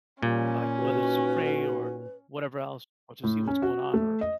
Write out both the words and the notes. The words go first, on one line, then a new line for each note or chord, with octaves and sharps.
like, whether it's to pray or whatever else or to see what's going on or
A#2 F3 G3 C#4 F5
D#4 F#4 B4
A2
C#4
F#4
A3
D#5